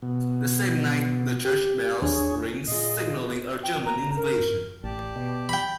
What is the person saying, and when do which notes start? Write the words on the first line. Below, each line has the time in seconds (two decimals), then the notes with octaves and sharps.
The same night the church bells ring signalling a German invasion.
0.02 B2
1.45 G4
2.02 D#2 D4 G#4 C#5
2.68 A#2 F4 G#4 D#5 C7
3.63 G5
3.85 A#5
4.17 A#4
4.83 A1 G4 D5 A5
5.16 B2
5.49 G5 B5